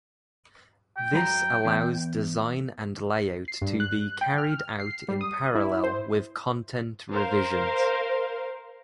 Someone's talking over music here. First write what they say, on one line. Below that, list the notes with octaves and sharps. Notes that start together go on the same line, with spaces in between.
This allows design and layout to be carried out in parallel with content revisions.
G5
F#2 A#4 A#5
E2
C7
G2
F#6
G5
F6
C7
G3
D#6
E4
C5
A#4 C5 F5